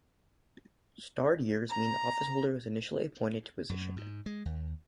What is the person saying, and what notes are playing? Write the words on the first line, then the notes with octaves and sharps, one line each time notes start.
Starred years mean the officeholder was initially appointed to position.
A#5
F#2
G#2
G#3
D#2